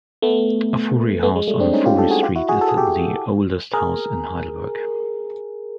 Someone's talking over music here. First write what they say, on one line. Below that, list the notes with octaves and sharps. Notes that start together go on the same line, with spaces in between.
"Fourie House" on Fourie Street is the oldest house in Heidelberg.
A3 B3
A3 B3
G#3
G3 A3
C4 D4
C#4 D#4
F4 G4
G4 A4
F#4 G#4
F4 G4
E4 F#4
F#4 G#4
A4
G#4
G4 A4
G#4 A#4